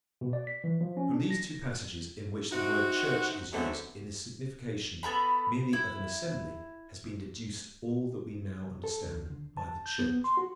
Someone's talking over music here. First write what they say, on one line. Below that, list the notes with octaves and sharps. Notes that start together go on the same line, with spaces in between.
From these two passages in which the word church is used, in the signification merely of an assembly, has been deduced all that we now understand by the Church.
B2
D5
B6
E3
F3
C#4
D4
A#6
C4 D#4 E4 F#4
D3 F#3 G#3 A3 B3 C4
B3 A4 A#5 B5
E4
F2
A4
D2
D3
A5
G6
B3
C6
F#4